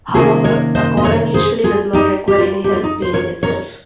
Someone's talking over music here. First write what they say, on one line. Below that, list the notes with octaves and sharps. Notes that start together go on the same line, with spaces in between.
However, the colon usually does not require any help cleaning itself.
C3 D#3 A#3 C#4 F4 G#4
A#4 C#5
C5 D#5
D#5
A#4 C#5
G#4 C5
F4 G#4
D#4 G4
G4
F4
G4
F4
D#4
C5
A#4 C#5
A#4 C#5